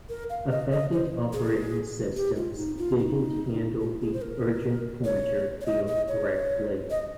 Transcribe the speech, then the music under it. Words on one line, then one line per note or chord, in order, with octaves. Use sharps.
Affected operating systems didn't handle the Urgent Pointer field correctly.
A#4
F5
D#5
D#5
C5
G#4
G4
F4
D#4
F4
D#4
F4
G#4
C5
A#4
C#5
C#5
D#5
D#5
C#5
D#5